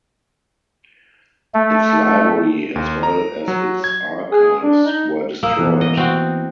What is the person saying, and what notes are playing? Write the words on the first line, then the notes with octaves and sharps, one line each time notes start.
Its library as well as its archives were destroyed.
A3
D#2
A#5
F#3
G#6
G#4
D4
D#4
A#3 D#6 E6
E3 B3
D#5
C4 F#4